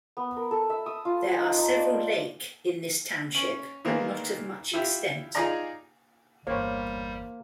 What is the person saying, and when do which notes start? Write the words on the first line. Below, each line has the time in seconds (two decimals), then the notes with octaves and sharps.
There are several lake in this Township but not of much extent.
0.17 B3
0.36 A#4
0.51 A4
0.70 E5
0.86 D#6
1.05 F4
1.23 C5
1.38 D#4
1.57 D#4
1.78 D5
3.35 C#4
3.85 D#3 E3 G#3 A#3
4.74 E4 F4 G4
5.35 D#4 F4 G#4 D5 A#5
6.47 G1 E2 G3 A#3 C5 C#5 G5